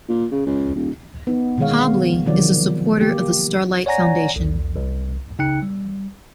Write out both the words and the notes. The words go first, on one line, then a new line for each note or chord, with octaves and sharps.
Hobley is a supporter of the Starlight Foundation.
A#2
C#3
C#2
D#1
B3 D#4
B2 D3 D#3 G#3 C#5 F5
C3 D#3 F3 F#3 D5
A#3 G4
C#5 D5 F#5 G#5 A#5 A#6
B1 E2
C2
C#3 D#4 G5 F#6 C#7
G3